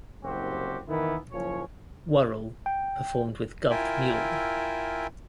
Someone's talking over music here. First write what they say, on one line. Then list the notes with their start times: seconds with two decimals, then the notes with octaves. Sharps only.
Worrell performed with Gov't Mule.
0.23 F#1 C2 C4 F#4 G4
0.88 D#3 E3 A#3 B3 E4
1.32 F#1 F3 C#4 C#5
2.66 G5
3.70 E4 F4 A#4 E5 G5 G#5